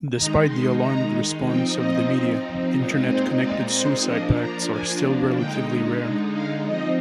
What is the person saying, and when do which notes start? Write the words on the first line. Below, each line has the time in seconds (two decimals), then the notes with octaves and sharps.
Despite the alarmed response of the media, Internet-connected suicide pacts are still relatively rare.
0.15 D#3 G#3 D#4 A#5
0.47 C6
0.81 A#5
1.45 F3 C4 D#4 G5
1.78 D#5
2.76 A#2 G#3 C4 D#4
3.09 C5
3.41 D5
3.73 C5
4.06 F3 A#3 D4 D#5
4.39 A#5
4.71 G#5
5.36 D3 G#3 D#4 G5
6.34 F5
6.67 F3 C4 D#4 D#5